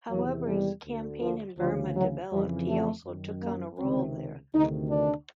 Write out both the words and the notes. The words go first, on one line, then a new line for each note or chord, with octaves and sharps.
However, as the campaign in Burma developed, he also took on a role there.
E2 C3 D#3 F#3
G3
D2 D3
F3
D2 C#3 E3 F3
F#3
F2 C#3 E3 G3
A3
F#2 D#3
A#3
C#2 C3 D#3 C4
D2 C3 D#3 D#4
D4